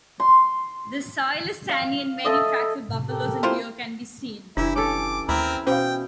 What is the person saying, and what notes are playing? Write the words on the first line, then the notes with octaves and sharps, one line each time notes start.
The soil is sandy and many tracks of buffalo and deer can be seen.
C6
F5
A4 D#5 E5
A2 C3
G4 A4 A#4
C4 E4 F4 C5
F#1 E3 D4 E4 G4
C#4 A4 D6
D#2 C4 E4 A#4
B2 C#4 C5 F5 G5